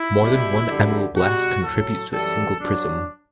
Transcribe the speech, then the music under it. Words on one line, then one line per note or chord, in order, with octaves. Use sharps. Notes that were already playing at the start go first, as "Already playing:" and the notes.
More than one ameloblast contributes to a single prism.
Already playing: E4
B2 G3
F#2 D3 G3
B2 G3 F#4
A2 F#3 A4
F#2 E3 G3 A4
G2 F#3 D4